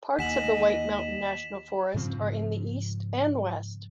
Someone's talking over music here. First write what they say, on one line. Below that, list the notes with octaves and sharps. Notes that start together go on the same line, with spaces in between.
Parts of the White Mountain National Forest are in the east and west.
D#2 G4 D#5 F#5 G#5 B6 E7 F#7
G#2 C#3 F3 C4